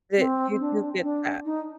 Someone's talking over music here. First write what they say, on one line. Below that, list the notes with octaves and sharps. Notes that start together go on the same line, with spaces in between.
th you do get that.
C4
D4
D4
D#4